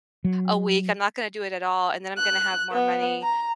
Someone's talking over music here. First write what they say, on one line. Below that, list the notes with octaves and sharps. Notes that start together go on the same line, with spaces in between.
a week, I'm not gonna do it at all, and then I'm gonna have more money,
F#3
F#6
B3
A#5